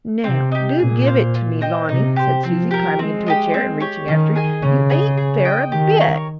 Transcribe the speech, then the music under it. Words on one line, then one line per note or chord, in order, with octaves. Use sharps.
"Now, do give it to me, Lonnie," said Susy, climbing into a chair, and reaching after it; "you ain't fair a bit."
C3 C4
D#4 G4
A#2 G#4
C5 F5
F4
C5 D#5 G5
C3 D#4
G4 C5
F3 C4
G4 A#4
G#3 C4
G4 A#4 D#5
C4
G4 C#5
D#3 C#4
G#4 D#5 G#5
C#3 C#4
G#4 D#5
G#4
D#5 G5
D#3 G4
A#4 C#5